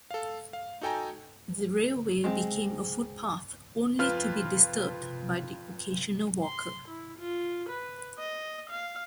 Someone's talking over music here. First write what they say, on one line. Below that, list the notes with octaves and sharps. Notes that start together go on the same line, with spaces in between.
The railway became a footpath, only to be disturbed by the occasional walker.
A4 F5
F5
D#4 F#4 A4 G5 G#5 A#5
G#3 C4
F2 F4 B4 F6
C6
E4
F4
B4
D#5
F5